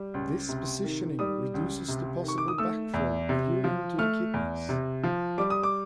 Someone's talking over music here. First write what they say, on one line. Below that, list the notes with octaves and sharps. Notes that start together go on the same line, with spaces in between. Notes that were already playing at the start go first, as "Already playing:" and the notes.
This positioning reduces the possible back-flow of urine to the kidneys.
Already playing: G3
C#2
C3
D#3
G3 D#6
C#2
C3
D#3 C#6
D6
D#6
A3 E6
E2
C3
F3
A3 F6
E2
C3
F3
G3 D6
D#6
D6